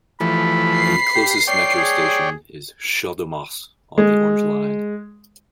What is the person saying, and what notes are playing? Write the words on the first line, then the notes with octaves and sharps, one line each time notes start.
The closest Metro station is Champ-de-Mars, on the Orange Line.
E3 F3 A3 B5
C7
G4
C#5 D5 G5
G#4
G#3